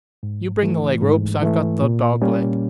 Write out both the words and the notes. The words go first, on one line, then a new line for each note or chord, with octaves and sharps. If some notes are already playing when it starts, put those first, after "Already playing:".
You bring the leg-ropes--I've got the dog-leg.
G#2
E3 A3
G#2
E3 A3
A#2
G3 A#3 C#4